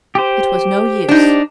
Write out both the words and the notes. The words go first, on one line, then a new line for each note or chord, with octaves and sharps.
It was no use.
G4 C5
D4 D#4